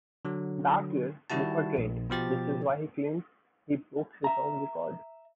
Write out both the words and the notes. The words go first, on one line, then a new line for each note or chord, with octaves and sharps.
That year, Buka trained, which is why he claims he broke his own record.
D3 F#3
D#3 G3 E4 F#4 A5
A#1
B2 F3 G4 A6
E5 A#5